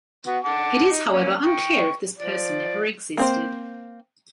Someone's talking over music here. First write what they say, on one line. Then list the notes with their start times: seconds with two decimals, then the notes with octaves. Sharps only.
It is, however, unclear if this person ever existed.
0.27 B3 F#4
0.44 F#5 A5 D6
0.90 D#4
1.10 A#3 C#4
1.44 G5 C#6
2.18 F3 D5
3.17 A#3 C4 C5